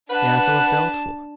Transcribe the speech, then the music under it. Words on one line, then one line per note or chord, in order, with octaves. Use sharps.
The answer was doubtful.
D4 B4 F#5 A5